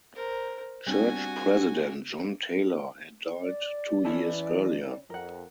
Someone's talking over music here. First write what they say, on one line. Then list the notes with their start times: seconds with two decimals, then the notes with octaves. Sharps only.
Church president John Taylor had died two years earlier.
0.15 A#4 C5
0.86 G3 C4 D4 F#4 G#5
3.42 D5
4.05 E3 C#4 E4 A4
5.10 F2 A#4 F#5